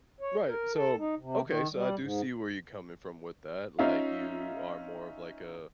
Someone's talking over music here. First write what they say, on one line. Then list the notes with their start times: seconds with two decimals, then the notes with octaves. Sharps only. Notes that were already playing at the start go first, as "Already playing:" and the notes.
Right, so Okay, so I do see where you're coming from with that, like, you are more of like a
0.20 C#5
0.48 A#4
0.74 A4
0.98 D#4
1.18 C3
1.45 D#3
1.73 G3
1.97 G#2
3.79 C#4 D#4 F4 E5 F5